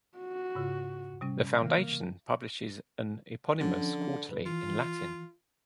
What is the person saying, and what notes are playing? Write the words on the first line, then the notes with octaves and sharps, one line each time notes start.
The foundation publishes an eponymous quarterly in Latin.
F#4
G#2 C#3 F4
C3 G3 C#4
C#3 E3 A#3
D3 F3 C#4 D4
G2 B4
E3 F4